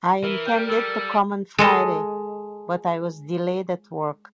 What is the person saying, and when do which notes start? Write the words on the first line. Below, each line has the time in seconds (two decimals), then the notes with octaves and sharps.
I intended to come on Friday, but I was delayed at work.
0.24 E3 A#4
0.47 G3 G5
0.69 G3 A4
1.58 G#3 A4 D#5